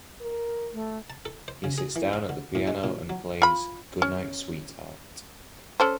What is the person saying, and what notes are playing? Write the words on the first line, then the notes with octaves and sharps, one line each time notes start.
He sits down at the piano and plays "Goodnight, Sweetheart".
A#4
A3
A5
A4
C5
C#3
G#4
E3
F5
D3
A2
G#3
A#2
F#3
F4 B5
C#4
C#4 A4 C5